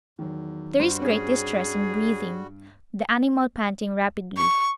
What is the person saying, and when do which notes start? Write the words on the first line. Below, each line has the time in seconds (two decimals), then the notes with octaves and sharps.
There is great distress in breathing, the animal panting rapidly.
0.19 E2 D#3 F#3
0.80 G2 G3 F#4 C5
1.00 C4 C#4 G#4
4.37 C#6